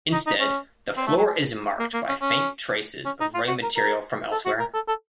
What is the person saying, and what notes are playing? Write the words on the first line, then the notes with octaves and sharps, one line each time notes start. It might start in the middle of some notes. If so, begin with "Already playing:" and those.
Instead, the floor is marked by faint traces of ray material from elsewhere.
D#4
D#4
C#4
C4
A3
F#3
A#3
A#3
C#4
C#4
C#4
D#4
F4
F#4
A#4
A#4
A4
F#4
A#4
A4
A4